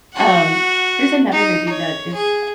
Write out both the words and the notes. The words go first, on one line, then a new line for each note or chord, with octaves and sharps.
Um, there's another movie that is
F#4 F#5
D#4
C#5
G#4